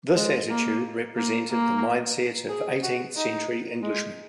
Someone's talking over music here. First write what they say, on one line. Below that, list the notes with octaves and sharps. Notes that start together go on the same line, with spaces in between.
This attitude represented the mindset of eighteenth-century Englishmen.
G#3
A#3
A#3
A#3
G#4
F#4
D#4
G#3